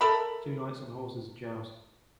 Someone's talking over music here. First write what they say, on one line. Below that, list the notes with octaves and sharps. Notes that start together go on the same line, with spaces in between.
Two knights on horses joust.
A4 A#4 E5 B5